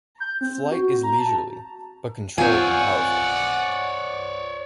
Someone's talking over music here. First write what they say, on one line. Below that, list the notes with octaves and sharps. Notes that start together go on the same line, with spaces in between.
Flight is leisurely, but controlled and powerful.
G6
C4
F#4
A#5
A5
C4 F4 C#5 D5 F#5 G#5